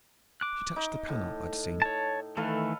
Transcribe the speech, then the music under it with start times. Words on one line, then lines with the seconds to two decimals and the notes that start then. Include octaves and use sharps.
She touched the panel I'd seen.
0.41 D6 F#6
0.76 D#4
1.09 A2
1.82 C#5 A5
2.37 D#3 E3 A3 A4 B4 F5